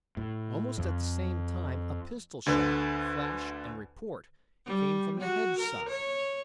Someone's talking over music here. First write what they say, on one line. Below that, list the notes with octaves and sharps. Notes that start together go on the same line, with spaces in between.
Almost at the same time a pistol-shot, flash and report, came from the hedge side.
A2
F2
D2 D3 B4
G3
F#4
A#4
C#5